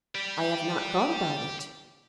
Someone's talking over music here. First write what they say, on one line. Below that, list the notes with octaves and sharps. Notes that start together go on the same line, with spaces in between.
"I have not thought about it."
G4 D5